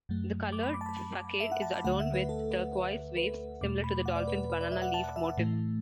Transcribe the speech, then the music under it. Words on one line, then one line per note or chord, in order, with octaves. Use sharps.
The colored facade is adorned with turquoise waves similar to the Dolphin's banana-leaf motif.
F#2 F#3 A3
D6
B5
D6
A5
B5
A5
E5
F#5
A5
B5
D2 D3 A3 F#5
E5
B4
A4
B4
B4
B4
E2 B2 A3 D6
B5
F#5
D5
B4
B4
B4
D5
E5
F#5
A5
F#5
E5
F#5
A2 E3 A3